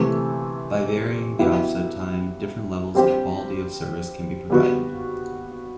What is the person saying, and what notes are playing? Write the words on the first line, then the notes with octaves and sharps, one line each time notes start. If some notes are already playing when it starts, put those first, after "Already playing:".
By varying the offset time, different levels of quality of service can be provided.
Already playing: C3 E3 A3
F#3 B3 E4 G4
G3 C4 G4
G3 B3 F#4